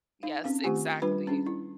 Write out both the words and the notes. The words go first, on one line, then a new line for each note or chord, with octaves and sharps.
Yes, exactly.
D#4 F5
C4 C#4 F5
D#3 A3 F4 G4 G#5
G3 D4 F4 B4 B5
C#4 D4 G#4
E4